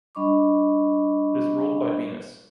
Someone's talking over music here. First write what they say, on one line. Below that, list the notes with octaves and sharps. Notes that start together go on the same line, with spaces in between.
It is ruled by Venus.
G3 D4 D#5 B5 C#6 D6